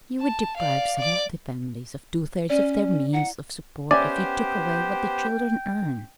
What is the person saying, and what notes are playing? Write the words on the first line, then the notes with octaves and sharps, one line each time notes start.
You would deprive some of the families of two-thirds of their means of support if you took away what the children earn.
A5
D5 F5
D5 D6
C#4 D5
E4 F#5
B3 C#4 G4 C5 D5 E5 G5 G#5